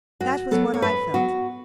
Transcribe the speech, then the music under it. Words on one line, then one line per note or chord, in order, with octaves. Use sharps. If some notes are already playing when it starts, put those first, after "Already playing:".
That was what I felt.
F#2 F#4
F#3 B3 A4
C#5
F#2 B4
F#3 B3 F#4